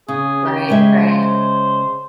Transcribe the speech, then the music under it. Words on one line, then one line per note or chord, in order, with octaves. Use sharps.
Right, right.
C#3 G#4
G4
C#3 G#3 E5
C5